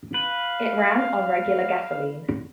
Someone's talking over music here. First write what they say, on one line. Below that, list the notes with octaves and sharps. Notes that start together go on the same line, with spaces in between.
It ran on regular gasoline.
B4 F5